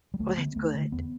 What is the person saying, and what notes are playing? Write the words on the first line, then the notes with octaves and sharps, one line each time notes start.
Oh, that's good.
G3
D2 A3
D3 B3
D2 A3
D3
E2 B3